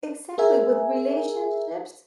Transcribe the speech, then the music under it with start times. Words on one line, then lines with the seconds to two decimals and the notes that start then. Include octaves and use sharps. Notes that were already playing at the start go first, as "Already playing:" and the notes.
Exactly with relationships.
0.38 G#4 A#4 E5 G#5